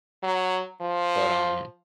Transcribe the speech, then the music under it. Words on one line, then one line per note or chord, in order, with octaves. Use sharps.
But, um,
F#3
F3